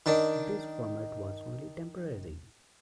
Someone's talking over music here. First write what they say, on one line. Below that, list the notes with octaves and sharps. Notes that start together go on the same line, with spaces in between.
This format was only temporary.
D#3 D4